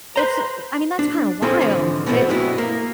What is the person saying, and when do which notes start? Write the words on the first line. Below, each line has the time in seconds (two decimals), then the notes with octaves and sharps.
it's i I mean, that's kinda wild, i
0.16 B4 C5 A#5
0.99 D4
1.42 C4 C#4 E4 F4 G#4 A4
1.61 G#2 D3 E3 F3
2.06 B2 A3 B3 C4 E4
2.29 G2 B2 F#3 G#3 B3 E4
2.58 A#3